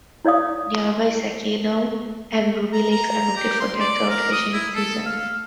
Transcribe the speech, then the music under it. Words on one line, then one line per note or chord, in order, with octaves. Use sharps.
Nearby Sakinaw and Ruby Lakes are noted for their trout fishing in season.
E4 C#5 D5 F5 D#6
A#5
A#5
G4
C6
D5
A#4
D#6
E4
A4
F5